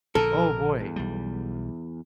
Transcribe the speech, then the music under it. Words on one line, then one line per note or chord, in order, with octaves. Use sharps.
oh, boy,
A#1 D3 A4 A#4
E2
B1 G3